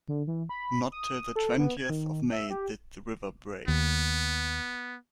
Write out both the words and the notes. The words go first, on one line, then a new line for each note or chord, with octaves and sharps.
Not till the twentieth of May did the river break.
D3
E3
B5
D#6
A4
B3
G#6
D#3
E5
G4
D#2 B3